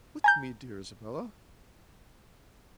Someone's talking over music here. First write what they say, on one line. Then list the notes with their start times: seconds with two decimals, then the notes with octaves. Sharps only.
"With me, dear Isabella!"
0.24 G#5 A#5 G6